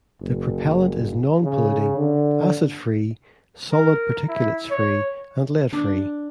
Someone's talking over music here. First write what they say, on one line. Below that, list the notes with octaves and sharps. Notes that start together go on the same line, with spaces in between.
The propellant is non-polluting: acid-free, solid particulates-free, and lead-free.
F#1
C#3
D3
A#4
E4
C#5
D4